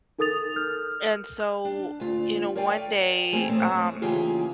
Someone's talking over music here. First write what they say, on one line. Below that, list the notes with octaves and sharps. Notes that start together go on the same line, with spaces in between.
and so, you know, one day, um,
D#4 A4 A#4 D#6 A6 F7
F6 G6
D4
D2 F4
A#4 C#5 D5 F5 G5 G#5
E3 A3 A#3 C4 G#4 A#4
A3 C4 A4 C#5 D#5
C#3 E3 A#3 F4 G4 G#4